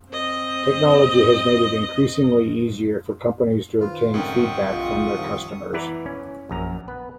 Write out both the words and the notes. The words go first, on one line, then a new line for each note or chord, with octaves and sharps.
Technology has made it increasingly easier for companies to obtain feedback from their customers.
C4 D#5
D#3 F4 B4 C5
C2 G#2 D3 D#3 C#4 G5 C#6 D#6
A#1 F4 G#4 D#5
D#3 F3 G3
E3 B3 E4 B4 D5 A#5
C#4
A#1 F#2 A#5
B3 B4